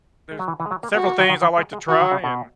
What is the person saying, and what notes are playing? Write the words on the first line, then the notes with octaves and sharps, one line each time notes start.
there's several things I like to try, and,
G#3
F#3
E3
E3
G#3
F#3
A#3
B3 F#4
A#3
D#3
D#3
E3
G#3
G#3
E3 F#4
D#3
C#3
B2